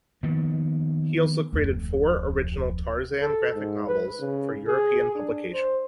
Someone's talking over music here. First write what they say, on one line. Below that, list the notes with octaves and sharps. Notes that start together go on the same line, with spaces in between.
He also created four original Tarzan graphic novels for European publication.
D#3 F3 A#3 B3
D1 F2
A4
G#2
B4
C#3
G#4
D4
C5